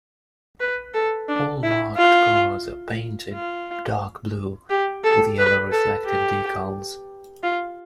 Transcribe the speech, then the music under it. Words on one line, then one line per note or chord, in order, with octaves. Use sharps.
All marked cars are painted dark blue with yellow reflective decals.
B4
A4
D4
E4
F4
F4
G4
A4
B4
A4
G4
F4